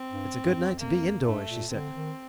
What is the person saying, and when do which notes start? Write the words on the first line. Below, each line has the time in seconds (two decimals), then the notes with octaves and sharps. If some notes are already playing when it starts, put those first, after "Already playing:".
"It's a good night to be indoors," she said.
Already playing: C4
0.11 G2
0.45 G2
0.57 F2
0.69 F2
0.80 F2 A#3
1.25 G2 A3
1.49 A#2
1.72 D3 C4
1.95 D#3